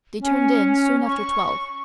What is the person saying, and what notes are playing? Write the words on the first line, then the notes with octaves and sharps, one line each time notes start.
They turned in soon after twelve.
C#4
C#6